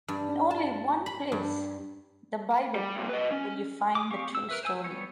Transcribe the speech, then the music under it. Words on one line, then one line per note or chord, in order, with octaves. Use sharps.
In only one place - the Bible - will you find the true story.
G2
A5
B5
G2
G3
G2 A#2
B4 D#5
C#4
D6 D#6
C4 G4 F5 C#6
E6
A#4 B4 E5
C5 G#5 E6
G3 B3 C#5